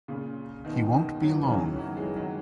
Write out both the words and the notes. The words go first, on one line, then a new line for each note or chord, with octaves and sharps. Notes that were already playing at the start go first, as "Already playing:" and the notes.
He won’t be alone.
A#2 C#3
B2 D#3
B2 D#3
F#3
E3
D#3
C#3 E3
D#3 F#3
D#3 F#3
E3 G#3
D#3 F#3